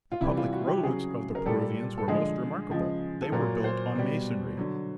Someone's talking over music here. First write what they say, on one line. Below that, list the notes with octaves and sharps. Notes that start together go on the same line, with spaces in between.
The public roads of the Peruvians were most remarkable; they were built on masonry.
F4
C3 E3 G3 E4
F4
F#4
G4
C#3 F#3 G#4
A#4
A#2 G3 A4
A4
D3 F3 G#3 G#4
C#3 F3 G#3
A4
A#2 F#3 A#4
C5
B2 G3
D3 F#3